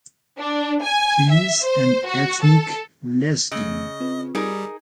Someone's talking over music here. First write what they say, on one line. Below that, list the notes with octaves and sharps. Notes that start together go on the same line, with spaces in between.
He is an ethnic Lezgin.
D4
G#5
E5
C5
F#4
A4
C#3 A3 D#5 E6
C4 F4 B4
G3 D#4 G#4 A#4